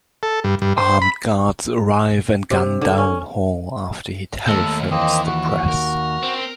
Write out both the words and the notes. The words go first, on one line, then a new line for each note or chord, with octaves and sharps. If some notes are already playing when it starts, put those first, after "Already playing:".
Armed guards arrive and gun down Hall after he telephones the press.
A4
G2
G2
C5
B5
C3
D3
C#4
D#2 A3 A#3 A4
E3 A#3 C4 D#5
F#4
A#4
C4